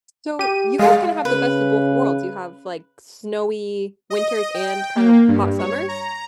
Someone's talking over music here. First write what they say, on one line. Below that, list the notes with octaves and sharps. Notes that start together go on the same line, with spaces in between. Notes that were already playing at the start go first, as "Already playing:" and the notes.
Stow, you guys kinda have the best of both worlds. You have, like, snowy winters and kind of hot summers?
G4 D#7
G#3 F5
C#3 B4
D#5
G5
A#3
G2
C#5
A#5